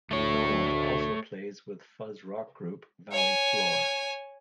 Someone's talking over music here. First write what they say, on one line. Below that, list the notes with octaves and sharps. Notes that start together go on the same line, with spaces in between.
MacDonald also plays with fuzz rock group 'Valley Floor'.
D2 A3 C#5
C#5 G#5